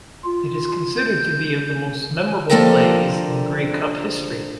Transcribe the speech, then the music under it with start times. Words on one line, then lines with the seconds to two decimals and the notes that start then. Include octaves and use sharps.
It is considered to be of the most memorable plays in Grey Cup history.
0.24 F4
0.97 G6
2.50 D3 F3 A#3 G4 A4 A#4